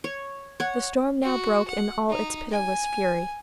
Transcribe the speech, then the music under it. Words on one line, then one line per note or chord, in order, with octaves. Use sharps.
The storm now broke in all its pitiless fury.
C#5
C#5 F#5
F#4
F#5
D#4
G#5